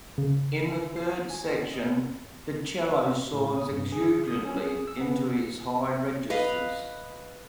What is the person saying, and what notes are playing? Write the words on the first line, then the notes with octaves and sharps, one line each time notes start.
In the third section the cello soars exuberantly into its high registers.
C#3
C7
G#5
D#5
A2
D#6
G2
G#4
D#6
C#4
G#4
E6
B3
B4 D#5 F5